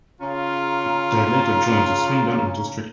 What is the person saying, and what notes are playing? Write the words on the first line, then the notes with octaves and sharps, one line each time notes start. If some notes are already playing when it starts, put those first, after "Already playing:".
They later joined the Swindon and District League.
C#3 C#4 F4 A#5